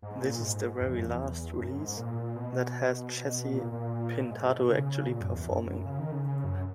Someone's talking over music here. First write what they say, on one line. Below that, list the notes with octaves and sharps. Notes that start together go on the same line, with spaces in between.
This is the very last release that has Jesse Pintado actually performing.
G#2
A#2
G#2
E2
F#2
E2
F#2
G#2
A#2
B2
A#2
A#2
G#2
B2
C#3
A#2
F#2
E2
F#2
F#2
C#3
D#3
C#3
C#3
F#2